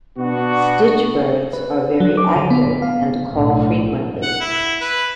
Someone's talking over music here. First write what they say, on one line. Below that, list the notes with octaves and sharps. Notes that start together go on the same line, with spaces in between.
Stitchbirds are very active and call frequently.
B2 B3 D4 F#4
B4
F#3
D6
D3
B3
F5
B1 A2
F#5
E4
B4